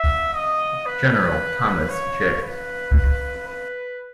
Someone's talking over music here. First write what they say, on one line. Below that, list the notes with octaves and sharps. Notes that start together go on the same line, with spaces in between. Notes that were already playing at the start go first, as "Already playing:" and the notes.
General Thomas J.
Already playing: E5
D#5
B4
C#5
B4
B4